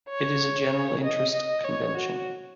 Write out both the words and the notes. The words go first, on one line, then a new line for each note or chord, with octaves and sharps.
It is a general interest convention.
C#5
D#5
D#5
C#5
F#4